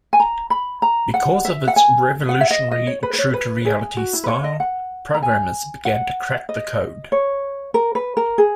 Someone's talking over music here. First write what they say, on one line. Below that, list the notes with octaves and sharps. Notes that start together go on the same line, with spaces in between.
Because of its revolutionary true-to-reality style, programmers began to crack the code.
G#5
A#5
B5
A#5
F#5
E5
F#5
G#5
F#5
E5
D#5
D#5
C#5
B4
B4
C#5
B4
G#4
F#4
E4
B4
C#5
D#5
F#5
A#5
G#5
F#5
D#5
C#5
A#4
B4
A#4
G#4